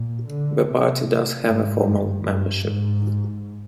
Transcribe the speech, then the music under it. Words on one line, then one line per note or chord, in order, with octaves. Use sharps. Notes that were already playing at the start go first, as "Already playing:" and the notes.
The party does have a formal membership.
Already playing: A#2
D3
C3
G#2
G2
G2
G#2